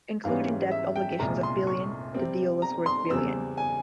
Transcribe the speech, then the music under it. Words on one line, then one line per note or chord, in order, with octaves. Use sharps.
Including debt obligations of billion, the deal was worth billion.
G#2 E3 G3 C#4 F5
E5
G5
C2 A#2 G#3 A#5
C6
C#6
C3 G3 C4
A#5
C6
E2 C#3 G3 C4 E6
G#5